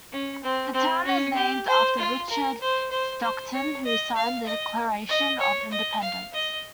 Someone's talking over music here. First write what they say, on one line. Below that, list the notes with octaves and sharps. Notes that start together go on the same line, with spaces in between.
The town is named after Richard Stockton, who signed the Declaration of Independence.
C#4
C4
C4
C#4
G4
C5
F4
A#4
C5
C5
C5
C#5
D#5
F5
D#5
D#5
C#5
D#5
F5
D#5